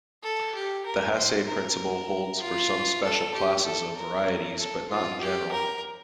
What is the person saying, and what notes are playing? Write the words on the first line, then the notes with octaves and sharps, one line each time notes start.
The Hasse principle holds for some special classes of varieties, but not in general.
A4
G4
A#4
C5
A#4
F4
A4
G4
A4
A#4
A4
F4
G4
A#4